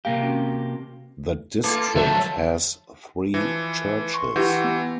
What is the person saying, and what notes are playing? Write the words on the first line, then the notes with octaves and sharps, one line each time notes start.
The district has three churches.
C3 A#3 G4 F5
C4 C#4 F#4
A3 F4 A4
C#2 D3 F3 F#3 A3 A4 C5 E5
E3 F3
C6 C#6
E3 E4 G4 F#5 G6
B3